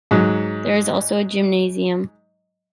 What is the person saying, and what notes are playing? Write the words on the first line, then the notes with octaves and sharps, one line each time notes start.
There is also a gymnasium.
G#2 F#3